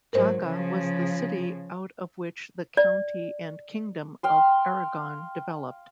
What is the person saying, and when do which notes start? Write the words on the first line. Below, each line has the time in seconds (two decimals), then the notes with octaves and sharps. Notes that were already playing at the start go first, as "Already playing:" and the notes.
Jaca was the city out of which the County and Kingdom of Aragon developed.
0.13 G#2 F#3 A#4 C5
0.43 C#3 F3
2.77 D5
4.23 F5 G5 C6